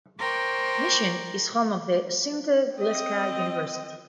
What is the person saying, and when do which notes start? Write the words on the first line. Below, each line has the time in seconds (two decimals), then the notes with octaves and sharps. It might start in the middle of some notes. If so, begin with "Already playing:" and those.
Mission is home of the Sinte Gleska University.
0.19 A#4 C5 D5 G5 C#6
2.76 C4 D#5